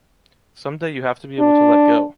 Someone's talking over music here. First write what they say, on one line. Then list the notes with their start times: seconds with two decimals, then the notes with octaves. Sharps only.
Someday you have to be able to let go.
1.40 D4